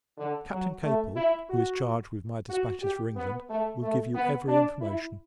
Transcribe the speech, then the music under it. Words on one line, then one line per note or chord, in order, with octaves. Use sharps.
Captain Capel, who is charged with my dispatches for England, will give you every information.
D3
F#3
A3
E4
F#4
F#4
G4
B3
A3
A3
B3
D4
E4